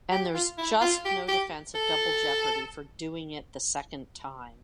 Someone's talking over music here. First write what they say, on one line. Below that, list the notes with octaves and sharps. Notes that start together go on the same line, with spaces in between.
And there's just no defense of double jeopardy for doing it the second time.
G4
F4
E4
F4
G4
G4
A4